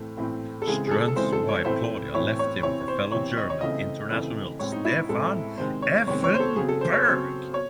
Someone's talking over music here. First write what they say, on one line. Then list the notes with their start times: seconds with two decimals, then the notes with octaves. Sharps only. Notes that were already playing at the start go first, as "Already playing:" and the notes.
Strunz's wife, Claudia, left him for fellow German international Stefan Effenberg.
Already playing: A2 E3 A3 C4
0.17 A2 E3 A3 C4
0.62 A4
0.67 C#3 E3 G#3 C4 G#4
0.87 G#4
0.91 A4
1.08 A4
1.16 C#3 E3 G#3 C4 C5
1.33 A4
1.49 C#5
1.65 A2 E3 A3 C4 C5
2.14 A2 E3 A3 C4 C#5
2.39 C#5
2.63 C3 E3 C4 C#5
2.88 C5
3.12 C3 E3 C4 C#5
3.37 D#5
3.50 C#5
3.61 C#3 E3 A3 C4 D#5
4.11 C#3 E3 A3 C4
4.59 A2 G#3 C4 C#5
4.72 D#4
4.85 E4
5.09 A2 G#3 C4 A4
5.58 C3 D#3 G#3 C4 C5
5.82 C#5
6.07 C3 D#3 G#3 C4 C#5
6.24 C#5
6.34 C5
6.40 A4
6.56 C#3 F#3 C4 G#4
6.69 A4
6.81 C5
6.93 C#5
7.05 C#3 F#3 C4 C5
7.54 C#5